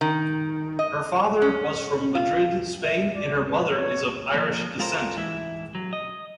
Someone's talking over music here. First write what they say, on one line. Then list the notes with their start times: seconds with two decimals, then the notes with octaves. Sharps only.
Her father was from Madrid, Spain and her mother is of Irish descent.
0.01 D#3
0.79 D#5
1.42 C#4
2.15 F4
2.82 E5
3.14 D5
3.47 B4
3.71 C#5
4.34 F3 A#3 A#4
4.79 G#3 F4 A4 A#4 C5
5.16 G#2 E3 E4 E5
5.75 F#3
5.93 D#5